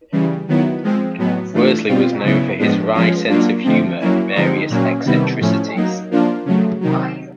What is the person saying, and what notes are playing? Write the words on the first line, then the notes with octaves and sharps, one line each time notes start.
Worsley was known for his wry sense of humour and various eccentricities.
C#3 E3 G3
D#3 F#3 B3 E4
F3 G#3 C4
A2 F#3 B3
E3 A3 D4 F4
B2 G3 C4 F4
C#3 F#3 B3 E4
A2 F3 G#3 B3 D4
F3 G#3 C#4 F4
F#3 A#3 D4 F4
D3 F3 A3 C4
F#3 A#3 C#4 E4
D3 F3 G#3 C4 D#4
A#2 F#3 A#3 C#4
C3 D#3 G3 B3 E4
A2 F3 A3 C#4
F#3 A#3 D#4
F3 A#3 D4 F4
C#3 F#3 A3
C3 D#3 F#3